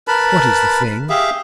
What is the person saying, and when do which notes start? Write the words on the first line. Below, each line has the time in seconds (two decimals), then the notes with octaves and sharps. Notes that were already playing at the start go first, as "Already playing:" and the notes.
"What is the thing?"
0.08 A#4 B4 A5 B5
1.10 G4 G#4 E5 F5